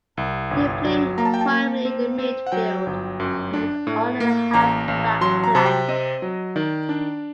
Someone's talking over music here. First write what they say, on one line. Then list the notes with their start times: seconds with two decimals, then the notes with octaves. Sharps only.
He played primarily in midfield and on the half back flank.
0.17 C2
0.51 G1
0.85 F#3
1.18 A#3 A#5
1.25 A5
1.34 G5
1.41 A5
1.51 A#3
1.85 C4
2.19 C4
2.46 F#5
2.52 F#3 G5
2.86 G1
3.20 F#2
3.53 D4
3.87 A2
4.20 A#3
4.54 A1 A#5
4.88 A1
5.21 F#3 C6
5.44 A#5
5.55 C3 A5
5.66 G5
5.88 C4 D#5
6.22 F#3
6.56 D#3 D5
6.89 D4